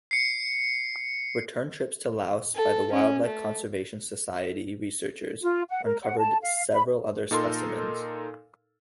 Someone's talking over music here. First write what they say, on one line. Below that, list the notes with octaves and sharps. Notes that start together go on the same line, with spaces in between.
Return trips to Laos by the Wildlife Conservation Society researchers uncovered several other specimens.
C7 C#7
A4
C#4
A3
F4
F#5
A#4
F#5
A5
F5
B5
A#2 D#4 A4 A#4 C6